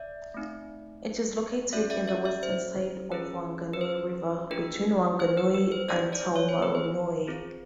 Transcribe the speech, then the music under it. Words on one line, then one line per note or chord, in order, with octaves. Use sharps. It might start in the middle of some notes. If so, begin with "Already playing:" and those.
It is located on the western side the Whanganui River between Wanganui and Taumarunui.
Already playing: D5 E5
A3 C4 D#4
C#4 F#4 A4 D5 E5
D5 E5
D5 E5
D5 E5
C5
C#4 F4 G#4 B4
B4
C5
A#3 D4 F4 G#4 B4
C5
B4
B4
C5
C4 D#4 G4 C5 D5
C5 D5
C#5
C5
B4
C5
C4 F4 G#4